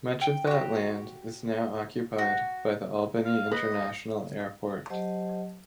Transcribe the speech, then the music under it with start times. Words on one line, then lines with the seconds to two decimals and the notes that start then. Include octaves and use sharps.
Much of that land is now occupied by the Albany International Airport.
0.21 G5
0.47 F#4 G4
2.18 F#4
3.25 F5
3.51 B4 D#5
4.90 F#3 G4 C5 D#5 A5